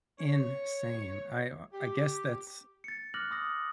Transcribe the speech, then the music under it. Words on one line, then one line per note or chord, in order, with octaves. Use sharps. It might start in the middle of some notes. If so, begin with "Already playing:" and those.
insane. I, uh, I guess that's
C#5
G4
A6 C#7
D6 F6 F#6 A#6 F#7
C6 D#6 A#6